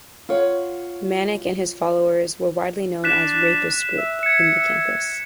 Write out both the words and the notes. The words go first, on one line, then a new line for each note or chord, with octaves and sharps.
Manik and his followers were widely known as ""Rapist Group"" in the campus.
F4 C#5 F#5
D4 F#6 B6 E7
E5
G#6 C#7